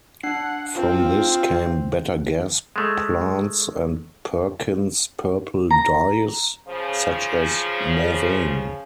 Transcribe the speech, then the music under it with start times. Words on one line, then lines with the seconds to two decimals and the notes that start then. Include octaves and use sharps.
From this came better gas plants and Perkin's purple dyes, such as Mauveine.
0.23 D4 F#5 C7
0.76 C4 F4
2.76 G#3 A3
5.70 A#5
6.67 C#3 F3